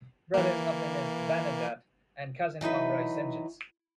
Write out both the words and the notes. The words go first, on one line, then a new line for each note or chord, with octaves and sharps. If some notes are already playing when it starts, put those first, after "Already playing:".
Brother of Dennis Vanendert and cousin of Roy Sentjens.
E3 A#3
E3 F#3 D#4 B4